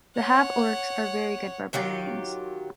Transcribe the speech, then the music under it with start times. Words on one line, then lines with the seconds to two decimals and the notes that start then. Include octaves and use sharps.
The Half-Orcs are very good barbarians.
0.16 C#5 F#5
1.73 D#3 F#3 F4 G4